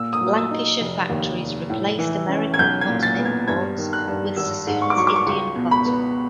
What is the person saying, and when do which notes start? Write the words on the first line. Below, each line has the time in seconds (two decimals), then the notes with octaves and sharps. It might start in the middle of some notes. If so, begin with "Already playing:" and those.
Lancashire factories replaced American cotton imports with Sassoon's Indian cotton.
Already playing: A#2 E6
0.13 D#6
0.21 F#3
0.36 E6
0.51 D#4
0.81 F1
1.10 D#2
1.40 F1
1.70 A2
1.99 E3
2.29 C#4
2.54 G#6
2.59 B1 G6
2.81 G#6
2.89 A#2
3.03 A6
3.18 B3
3.25 G#6
3.48 G2 G#6
3.78 D#3
3.93 F#6
4.08 G2
4.36 G#1 E6
4.67 G#2
4.82 C#6
4.90 D6
4.97 F#3 C#6
5.07 D6
5.16 C#6
5.26 C#2 C#6
5.56 B2
5.71 B5
5.86 B3